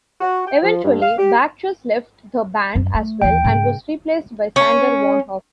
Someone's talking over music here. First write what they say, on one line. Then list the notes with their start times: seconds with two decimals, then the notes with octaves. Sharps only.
Eventually Bagchus left the band as well and was replaced by Sander van Hoof.
0.21 F#4
0.47 G5
0.63 F3
0.83 G2
1.02 F5
1.18 G4
2.75 F#2
2.94 A3
3.22 D#2 E3 G5
3.44 G#2 C#3
4.56 C#4